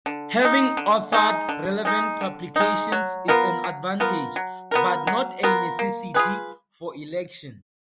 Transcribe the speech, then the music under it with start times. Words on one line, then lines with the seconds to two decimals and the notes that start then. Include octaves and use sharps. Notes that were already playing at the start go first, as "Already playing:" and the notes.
Having authored relevant publications is an advantage, but not a necessity, for election.
0.06 D3
0.42 G#3 D#4
0.77 D3
1.12 G#3 D#4
1.49 D3
1.85 G#3 D#4
2.21 D3
2.56 G#3 D#4
2.92 F#3
3.28 B3 F4 A#4
3.64 F#3
4.00 B3 F4 A#4
4.36 F#3
4.71 B3 F4 A#4
5.07 F#3
5.43 B3 F4 A#4
5.79 A#3
6.14 F4 G#4 B4